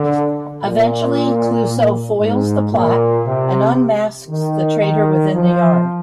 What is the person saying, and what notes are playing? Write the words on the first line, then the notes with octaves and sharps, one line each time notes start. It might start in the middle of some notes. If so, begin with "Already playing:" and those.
Eventually, Clouseau foils the plot and unmasks the traitor within the Yard.
Already playing: D3
A#2
G#2
A#2
C3
D#3
D#3
F3